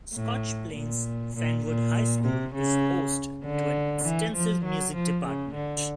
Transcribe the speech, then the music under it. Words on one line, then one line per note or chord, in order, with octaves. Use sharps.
Scotch Plains-Fanwood High School is host to an extensive music department.
A2
A#2
A#2
A#2
C3
C#3
D3
E3
F3
F#3
F3
C#3
D3